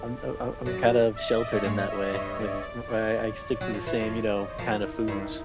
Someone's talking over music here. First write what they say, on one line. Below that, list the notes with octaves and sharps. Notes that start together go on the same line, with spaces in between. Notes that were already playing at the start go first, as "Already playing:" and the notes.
I'm uh I'm I'm kind of sheltered in that way. like, I I I stick to the same, you know, kind of foods.
Already playing: A4 D5
D5
F#2 F#3
E5
D#5
D5
A3 C#5
G#2 G#3 C#5
D#5
E5
D#5
G2 G3 D#5
D5
D5
C#5
F#3
F3
E3
F2 F3
C#5
D5
D#5
C5
F2 F3 A#4
E4
D#4
D#4
G2 G3 E4